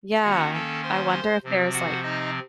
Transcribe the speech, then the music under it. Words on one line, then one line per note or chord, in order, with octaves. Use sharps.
Yeah. I wonder if there's, like
D#3 A#3 C#4 F#4 F#5
A4 A5
C5 C6
C3 F3 C4
F#4 F#5
D#4 D#5